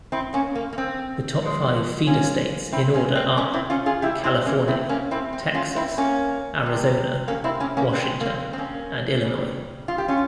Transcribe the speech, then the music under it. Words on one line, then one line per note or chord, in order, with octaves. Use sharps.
The top five feeder states in order are California, Texas, Arizona, Washington, and Illinois.
C4 E4
A#3 C#4
A#3
A#3
C4
A#2 F3 G#3
A#3 C#4
C4 E4
A#3 C#4
C4
A#3 C#4
C4 E4
C#4 F4
F4 G#4
C3 G3 E4 G4
C4 E4
A#3 C#4
C4 E4
A#3 C#4
C4 E4
C4
C#4 F4
C4 E4
A#3 C#4
C3 G3
A#3 C#4
C4 E4
A#3 C#4
A#3 C#4
C4
A#3
C4
C4
A#3 C#4
C#3 G3
F4
G4
C#4 F4